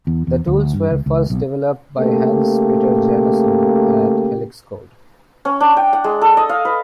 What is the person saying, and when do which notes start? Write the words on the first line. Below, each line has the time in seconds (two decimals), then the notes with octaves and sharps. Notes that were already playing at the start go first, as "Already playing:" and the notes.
The tools were first developed by Hans Petter Jansson at Helix Code.
0.07 E2
0.27 E2
0.47 D2
0.74 G2
0.91 C#2
1.06 C#2
1.30 B1
1.98 C#3 A3 A#3 G4
5.45 C#4
5.60 D4
5.77 G5
5.93 F#5
6.04 G#3
6.21 A4
6.37 D#5
6.49 F5
6.65 B4